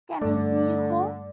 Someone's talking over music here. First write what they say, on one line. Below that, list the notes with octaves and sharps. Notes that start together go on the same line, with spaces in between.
Can I see you home?
G2 D3 A3 D5